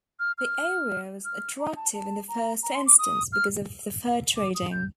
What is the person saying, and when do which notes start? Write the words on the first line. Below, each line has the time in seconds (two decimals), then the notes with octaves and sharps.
The area was attractive in the first instance because of the fur trading.
0.20 F6
0.38 F6
1.25 F6
1.60 A#5
1.76 A5
1.94 A5
2.29 A#5
2.63 A#5
2.74 C6
2.86 D6
2.99 D#6
3.33 F6
4.37 D6
4.55 D#6
4.72 G6